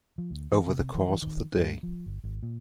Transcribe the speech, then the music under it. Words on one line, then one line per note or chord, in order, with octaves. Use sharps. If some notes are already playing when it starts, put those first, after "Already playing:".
Over the course of the day.
F3
D2
E3
C3
E3
E3
D#3
G2
F3
G1
G#1
A#2